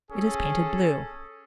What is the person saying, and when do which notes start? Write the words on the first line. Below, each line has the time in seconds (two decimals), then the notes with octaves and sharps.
It is painted blue.
0.11 C#4 G#4 A4